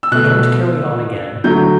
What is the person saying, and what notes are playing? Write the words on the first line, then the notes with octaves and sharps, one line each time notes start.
Don’t carry on again.
E6
B2 A3 F#6
D3 F#3 A3 G6